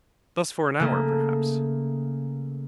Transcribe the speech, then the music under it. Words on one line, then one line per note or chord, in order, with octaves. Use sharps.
Thus for an hour, perhaps.
C#3 A3 A#3